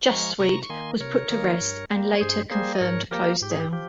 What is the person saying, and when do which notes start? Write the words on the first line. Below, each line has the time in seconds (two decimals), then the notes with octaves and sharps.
"JustSweet" was put to rest, and later confirmed closed down.
0.09 F3 G#3 A#5 C#6
0.40 C3 A#5 C#6
0.63 C#6
0.69 D#3 A#3 G#5 C6
1.00 C3 A#4 C#5
1.30 D#3 A#3
1.61 G2
1.90 G3
1.95 A#3
2.15 C#5
2.21 G2 G#4 C5
2.51 G3 A#3 G#4 C5
2.75 D#5
2.81 G#2 A#4 C#5
3.11 F3 A#3 G4 A#4
3.42 G#2 G4
3.51 G#4
3.60 G4
3.73 F3 G4